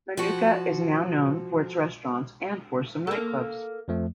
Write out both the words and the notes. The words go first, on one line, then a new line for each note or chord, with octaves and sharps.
Manuka is now known for its restaurants and for some nightclubs.
F3 F#4
A#3 A4
F2 F3 A3